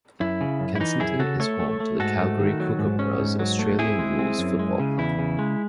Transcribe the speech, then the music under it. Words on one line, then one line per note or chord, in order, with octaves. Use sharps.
Kensington is home to the Calgary Kookaburras Australian rules football club.
F#2 E4
C#3
F#2
E4
E3 D#4
F#2 E4 G#4
C#3 F#4 A4
A3 A4 C#5
A3
A3
G#2 F#4 A4
A3
D#3
F#3
G#2
C#4
G#2
F#3
A3
C4 E4 G#4
G#3
C4
F#2
G#3
C#3
E2 E4
C#3
G#3